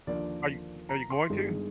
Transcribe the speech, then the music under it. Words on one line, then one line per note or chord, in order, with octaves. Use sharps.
Are you are you going to?
D#2 D3 F3 A#3 D5
A#5
C6
G1 G2 D#3 G#3